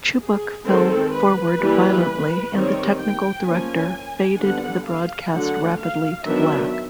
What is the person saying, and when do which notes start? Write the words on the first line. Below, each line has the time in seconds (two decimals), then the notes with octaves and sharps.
Chubbuck fell forward violently and the technical director faded the broadcast rapidly to black.
0.21 G#4
0.67 D#3 G#3 C4 A4
1.14 B4
1.61 E3 G3 A#3
2.53 D#3 G3 C4 C#5
3.00 G5
3.46 F3 A#3 C#4 G#5
4.39 D3 G3 B3 D4 F#5
4.86 F5
5.33 D3 F#3 A3 D4 F#5
5.78 F5
6.25 D#3 F#3 B3 D4 E5